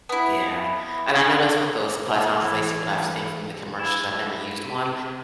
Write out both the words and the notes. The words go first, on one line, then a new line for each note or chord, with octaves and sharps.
Yeah, and I noticed with those pelotons, at least what I've seen from the commercials, I've never used one.
B3 E4
E3
E4
C3